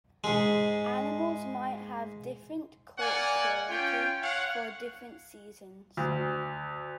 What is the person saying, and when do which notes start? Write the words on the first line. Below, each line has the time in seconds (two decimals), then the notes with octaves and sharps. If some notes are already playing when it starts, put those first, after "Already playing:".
Animals might have different coat quality for different seasons.
0.24 G#2 G#3
2.98 A#3 D5 F5 F#5 G#5
3.69 C#4 F4 G5
4.22 C#5 F5 F#5
5.97 D2